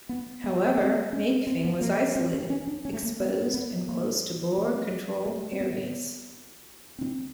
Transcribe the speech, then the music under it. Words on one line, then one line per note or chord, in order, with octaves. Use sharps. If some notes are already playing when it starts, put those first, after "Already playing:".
However, Mafeking was isolated, exposed and close to Boer controlled areas.
B3
B3
C4
C#4
C4
B3
A#3
C4
C#4
C#4
D4
C#4
A3
A#3
B3
B3
A#3
A3
A3
C4
B3
C4